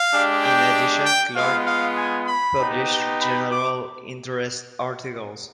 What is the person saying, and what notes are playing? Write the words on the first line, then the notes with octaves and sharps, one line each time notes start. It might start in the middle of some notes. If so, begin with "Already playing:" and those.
In addition, Clarke published general interest articles.
Already playing: F5
G#3 D4 G4
G5
G5
G#3 B3 F4 F5
F5
G#5
B5
B3 D#4 G4
B5
D6